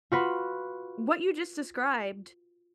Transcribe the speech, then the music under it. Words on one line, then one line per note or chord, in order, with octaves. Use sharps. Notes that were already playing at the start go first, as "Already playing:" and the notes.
what you just described
F4 F#4 B4